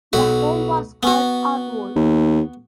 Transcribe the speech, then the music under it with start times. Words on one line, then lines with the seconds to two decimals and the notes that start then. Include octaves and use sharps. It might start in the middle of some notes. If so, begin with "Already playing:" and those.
The home was called Ardwold.
0.13 B1 F#4 B4
1.03 B3 F#4
1.96 D#2